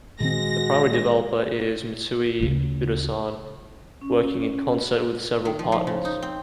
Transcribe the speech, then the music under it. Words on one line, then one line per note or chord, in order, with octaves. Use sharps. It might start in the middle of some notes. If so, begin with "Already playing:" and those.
The primary developer is Mitsui Fudosan, working in concert with several partners.
A#2 D#3 G#3 C4 F#4 A#6
D2 C#3
C#4
D#3
F3
F3
C#3
D#4
C4